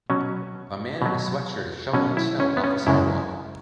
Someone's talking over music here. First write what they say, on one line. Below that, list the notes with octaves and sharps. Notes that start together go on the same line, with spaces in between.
A man in a sweatshirt is shoveling snow off a sidewalk.
B2 F#3 C#4
B2 F#3
B2 F#3 C#4
E4
C#4
B3
C#4
F#2 C#3 G#3 E4